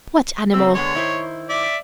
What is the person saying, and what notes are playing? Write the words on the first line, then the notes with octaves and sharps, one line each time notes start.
"What animal?"
C#3 A3 C4 E6
D3 G#3 B3 C#5
D#3 E4 C5
D5 E5